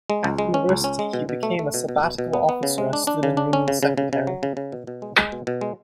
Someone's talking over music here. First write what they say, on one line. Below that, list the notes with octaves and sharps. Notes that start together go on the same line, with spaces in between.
At university he became a sabbatical officer as Student Union Secretary.
G#3
C#2
G#3
C#4
C#2
C#4
G#3
B2
B2
A3
A3
B2
B2
B2
B2
B3
B3
C#3
G#3
D4
D4
C#3
D4
C#4
C#3
C#3
C#3
C#3
F#3
C#3
C#3
B2
B2
G#3
G#3
B2
B2
G#3